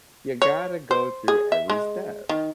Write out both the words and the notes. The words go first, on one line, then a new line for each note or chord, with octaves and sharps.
you gotta go through every step,
C#5
C5
G#4
E5
G#3
D#3